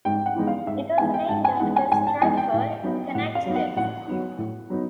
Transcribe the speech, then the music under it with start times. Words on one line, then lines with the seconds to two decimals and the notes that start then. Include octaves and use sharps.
It was named after Stratford, Connecticut.
0.05 G#2 G5
0.26 F#5
0.36 E3 G#3 B3 D#4
0.47 F5
0.67 G#2 E5
0.98 E3 G#3 B3 D#4 G#5
1.14 G5
1.29 G#2 A5
1.44 G#5
1.60 E3 G#3 B3 D#4 F#5
1.76 G#5
1.91 G#2 G#5
2.07 A5
2.22 E3 G#3 B3 D#4 G#5
2.37 G5
2.54 A2
2.83 F#3 B3 D#4
3.15 A2 F#5
3.35 F5
3.46 F#3 B3 D#4
3.55 F#5
3.76 A2 F#5
4.07 F#3 B3 D#4
4.38 A2
4.70 F#3 B3 D#4